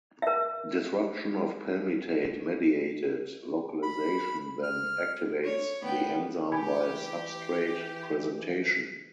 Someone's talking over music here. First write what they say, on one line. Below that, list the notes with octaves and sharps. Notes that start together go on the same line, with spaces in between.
Disruption of palmitate mediated localization then activates the enzyme by substrate presentation.
A#4 E5
B5
F6
C#5
B3 G5
E3 G4 G#5 B5 G#6